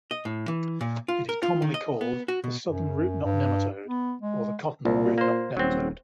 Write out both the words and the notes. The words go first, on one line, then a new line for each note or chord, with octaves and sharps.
It is commonly called the "southern root-knot nematode'" or the "cotton root-knot nematode".
D#5
A2
E3
A#2
F4
A#4
F4
D#3
D#5
B3
F#4
B2
F#2
G2
B3
G#3
C2 A#2
A#3 C5
D#1 F#3 C4